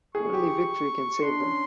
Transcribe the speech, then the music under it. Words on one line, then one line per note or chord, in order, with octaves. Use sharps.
Only victory can save them.
G#4 C#6
G4
D4 C6
C#4